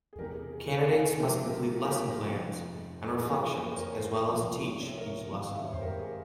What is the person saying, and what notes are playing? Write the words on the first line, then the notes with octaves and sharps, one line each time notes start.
Candidates must complete lesson plans and reflections, as well as teach each lesson.
G#4
E1 E2 C3 G4 A#4
G#4
G#4
G#4 C5
F5 G#5
C#2 C#3 F3 G#3 C4 E5 G5
G4 A#4
G#4
G4 A#4
G4
G#4
F1 F2 C#3 F3
G#4
F2 E3 A#3 E4 G4 A#4
G#4 C5
A#4 C#5
G#4 C5
C5 E5
C2 A#2 F3
C#5
E5
A#4 C#5
G#1 G#2 G3 C4
F5
E5
C#5
C5
G4 A#4
G#4